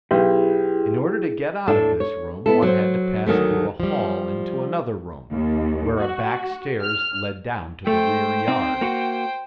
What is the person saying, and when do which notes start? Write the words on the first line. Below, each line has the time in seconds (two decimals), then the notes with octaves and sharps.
In order to get out of this room one had to pass through a hall into another room, where a back stairs led down to the rear yard.
0.11 B1 E4 G4 G#4
1.68 A2 D4 A4
2.00 C#5
2.46 B3 E4 A4
2.62 F#3 C5
3.26 D2 D#3 F#3 A3
3.80 F3 G3
5.32 D#2
5.99 F#4
6.81 F6
7.87 A3 C5 G5
8.48 C4 D#4
8.81 A#3 F#4